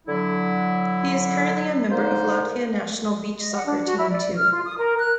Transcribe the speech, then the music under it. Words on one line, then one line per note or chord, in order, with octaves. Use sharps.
He is currently a member of Latvia national beach soccer team too.
D3 F#3 E4
D3 A#3 D#4 C5
D#5
F#5
D4
F#4
E4
D5
F6
F4
D#6
A#4
F#6